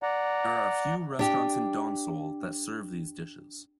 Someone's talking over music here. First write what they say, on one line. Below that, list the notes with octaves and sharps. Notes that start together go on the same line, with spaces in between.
There are a few restaurants in Donsol that serve these dishes.
D5 F#5 A#5
D4 G4